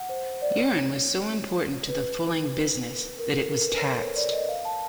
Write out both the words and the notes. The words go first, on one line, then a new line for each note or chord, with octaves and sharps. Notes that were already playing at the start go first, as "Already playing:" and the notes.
Urine was so important to the fulling business that it was taxed.
Already playing: F#5
C5
D5
C#5
B4
A#4
A4
A#4
B4
C#5
C5
C#5
D5
D#5
F5
A5